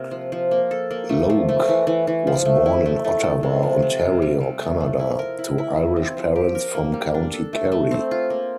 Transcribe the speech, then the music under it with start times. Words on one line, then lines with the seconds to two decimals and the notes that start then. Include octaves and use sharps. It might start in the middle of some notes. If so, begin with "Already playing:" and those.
Logue was born in Ottawa, Ontario, Canada, to Irish parents from County Kerry.
Already playing: C3 A#3 F4 A#4
0.11 F3
0.32 F3
0.51 A#3
0.71 A4
0.91 A#3
1.09 A3
1.30 F3
1.49 A3
1.69 E3
1.87 E3
2.07 E3
2.27 F3
2.45 A3
2.66 E4
2.85 A3
3.04 A3
3.24 A4
3.43 C3
3.63 F3
3.82 C3
4.01 F4
4.22 G3
4.40 G3
4.60 A3
4.80 F3
4.99 E4
5.19 A#4
5.39 E4
5.58 E4
5.77 F3
5.96 C4
6.17 F3
6.36 G4
6.55 A#4
6.75 A#3
6.94 G3
7.14 D4
7.33 A4
7.53 A3
7.72 A3
7.91 C4
8.11 F4
8.30 A#3